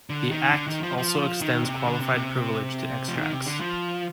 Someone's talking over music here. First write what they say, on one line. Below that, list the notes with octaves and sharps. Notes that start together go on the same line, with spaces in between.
The Act also extends qualified privilege to extracts.
D3
D#3
D3
D#3
F3
F3
D#3
C3
D3
C3
C3
F3
D#3
C3
D3
F3